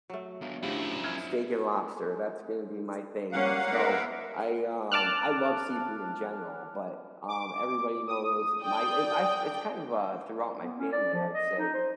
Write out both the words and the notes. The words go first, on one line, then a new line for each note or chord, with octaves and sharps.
steak and lobster- that's gonna be my thing. So, I, um I love seafood in general, but, um, everybody knows my if I it's kind of, uh, throughout my family, I would say,
F#3 A3
A#3 B3 D4
F#2 A2 D3 F3 E4 G4
D#4 E5 F6 G#6
G3 A#3 C#4 F5 F#5
B3 A#4 E5
A5 D6 F6 F#6
D6
D#6
D5 G5
B3
C#4
D5
F3
D#5
D#4
C5